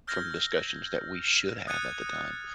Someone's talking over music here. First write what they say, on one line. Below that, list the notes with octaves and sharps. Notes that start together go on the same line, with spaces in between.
from discussions that we should have at the time
E6 F6 G6 G#6 A#6
D#6 F#6 G#6 A6 C#7 D#7